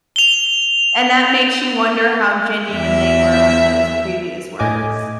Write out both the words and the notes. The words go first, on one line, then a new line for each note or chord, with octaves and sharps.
and that makes you wonder how genuine they were with those previous words.
F7 G7
E2 E5
A2 D#5 G#5 D6